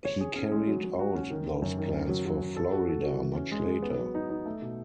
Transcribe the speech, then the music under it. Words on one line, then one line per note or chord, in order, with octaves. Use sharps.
He carried out those plans for Florida much later.
C#5
G#4
C#4
G#3
F#3
F#3
F#4
C#4
D#3
D#3
F#2
D#3
C#4
F#3
F#3
C#4
A4
F#4
A4
F#4
E3
C#4
G#3
G#4
B3
F#3
D#4
D#4
A3
B2